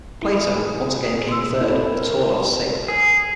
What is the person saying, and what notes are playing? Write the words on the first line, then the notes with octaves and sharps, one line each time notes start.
Plato once again came third, with Tordoff sixth.
E4 G#4
C6 E6
C4 E4 A4
A#4
G#4